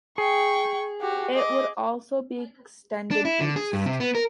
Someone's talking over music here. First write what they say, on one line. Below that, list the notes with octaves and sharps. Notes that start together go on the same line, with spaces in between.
It would also be extended east.
G#4 G5 C#6
F#4 G4
D#5 D6
D4
E4
D3
G#4
G2
C3
B3
A#4